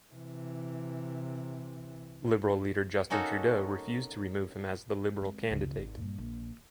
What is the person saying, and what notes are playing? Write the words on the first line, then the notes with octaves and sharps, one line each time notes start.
Liberal leader Justin Trudeau refused to remove him as the Liberal candidate.
C3 E3
A#3 C#4 D#4 F#4 A4
G#3 C4
F1 C#2
G#1
G2 A#2
A#1